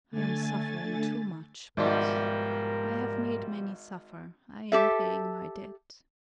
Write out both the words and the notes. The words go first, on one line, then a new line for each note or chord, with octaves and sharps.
I am suffering too much, but--I have made many suffer, I am paying my debt!
D3 A3 G#5 A6
G#1 G#2 B2 F3 G3 A#4 D5 E5
G4 A4 E5